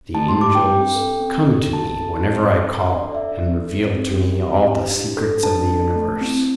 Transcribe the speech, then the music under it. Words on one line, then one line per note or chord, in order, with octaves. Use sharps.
The angels come to me whenever I call, and reveal to me all the secrets of the universe.
A3 A5
C6
E4 G4 D6
G5
C4
A4
C4
A4
C4 A5
A4
C4
A4
D4 C6
D5
A4
E5
D4
A4
C4
E4 G4
C4
E4 G4
D4
A4
D4 A5
A4
A3
C4 E4